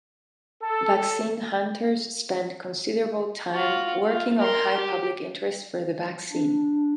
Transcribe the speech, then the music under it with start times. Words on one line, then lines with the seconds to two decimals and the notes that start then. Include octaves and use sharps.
Vaccine Hunters spent considerable time working on high public interest for the vaccine.
0.63 A4
3.51 F4 F#4
4.06 F4
4.38 A#4 C6
4.77 G4
6.32 D4